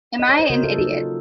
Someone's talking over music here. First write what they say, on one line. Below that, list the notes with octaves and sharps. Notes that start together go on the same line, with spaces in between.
Am I an idiot?
D#5
C#5
C5
C#3 F#4 A#4
F4 A4
F#3 A#3 D#4 F#4
F4 A4